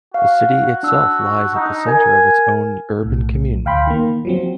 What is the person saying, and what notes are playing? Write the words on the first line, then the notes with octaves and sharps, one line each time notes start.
The city itself lies at the centre of its own Urban Commune.
F#4 F5
D4 E6
D#4
A#4 G#5
B1 A2
D2 F5 G5 B5 C6
D#3 A#3
F3 F#3 C4